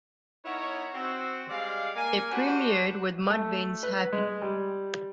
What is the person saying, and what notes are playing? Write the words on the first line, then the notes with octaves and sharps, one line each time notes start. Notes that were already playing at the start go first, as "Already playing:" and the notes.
It premiered with Mudvayne's Happy?
B3 D#4 E4 A#4 C#5
C4 F#4
G3 G#3 D5 F5
A#3 G#5
D4 F#4 G4 B4 C5
A3
B4
G#3
G3